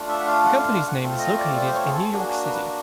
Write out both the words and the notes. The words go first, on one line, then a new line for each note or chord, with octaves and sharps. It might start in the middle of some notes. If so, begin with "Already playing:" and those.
The company's name is located in New York City.
Already playing: A3 D4 F4
E5
F#5
F5
F#5
F5
F5
F#5
A3 C4 F4
D#5
D5
D5
C5
C#5
G#4
A4
A#3 D4 F#4 G#4
B4